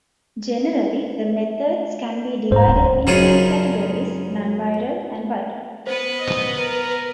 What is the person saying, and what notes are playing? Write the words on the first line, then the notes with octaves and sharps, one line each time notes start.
Generally, the methods can be divided into two categories: non-viral and viral.
G#2 C5 A#5
D1
F#2 C#3 D#4 F4 G#4
B3 B4 C5
D#5
A#4